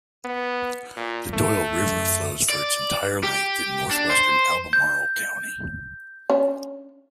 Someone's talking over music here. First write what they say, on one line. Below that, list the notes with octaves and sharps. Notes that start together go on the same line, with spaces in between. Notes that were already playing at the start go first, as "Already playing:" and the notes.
The Doyles River flows for its entire length in northwestern Albemarle County.
B3
A#2
G#2 A3 D#4
F#2
D5
G4
D4
C5
G6
C#4 D4